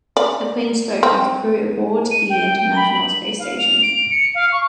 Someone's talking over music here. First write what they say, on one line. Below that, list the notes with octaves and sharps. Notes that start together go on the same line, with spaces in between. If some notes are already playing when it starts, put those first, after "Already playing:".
The queen spoke with crew aboard the International Space Station.
D5
C4
D#7
G5
G5
B5
F#7
F5
F7
D7
C#7
F5
C#6